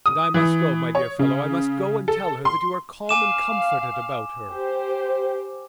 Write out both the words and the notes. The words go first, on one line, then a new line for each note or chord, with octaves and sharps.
And I must go, my dear fellow, I must go and tell her that you are calm and comforted about her.
D#6
E3
C#5
C#3
A4
C6
F5 G#5 D6 E7
G4 C5